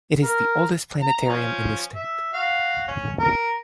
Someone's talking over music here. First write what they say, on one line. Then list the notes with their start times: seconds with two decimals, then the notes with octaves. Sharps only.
It is the oldest planetarium in the state.
0.23 A#4
1.02 A#5
1.29 F3 C#4
1.95 E5
2.33 F#4 F5
2.88 C#4
3.20 A#4